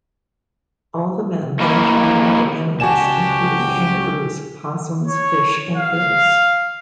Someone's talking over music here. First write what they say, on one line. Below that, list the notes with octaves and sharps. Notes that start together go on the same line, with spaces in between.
All the men then turned into animals, including kangaroos, possums, fish and birds.
D#3 A#3 E4 G4 A#4
C#2 F#4 G4 D5 G#5 A5 E7
C#5
F5